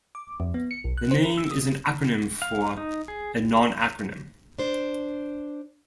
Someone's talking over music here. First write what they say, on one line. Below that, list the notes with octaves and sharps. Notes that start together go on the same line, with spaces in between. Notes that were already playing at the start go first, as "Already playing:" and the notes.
The name is an acronym for "A Non Acronym".
D6
F2
B3
C#7
B1
F#6
C5
A#4
E6
D#6
F5
D#4
G#4
D4 C5